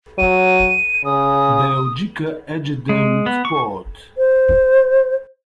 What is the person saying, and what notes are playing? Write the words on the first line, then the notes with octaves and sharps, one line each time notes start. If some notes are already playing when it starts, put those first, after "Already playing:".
Belgica Edegem Sport.
F#3 D#7
C#3 D#6
G#3
B3
C#6
C5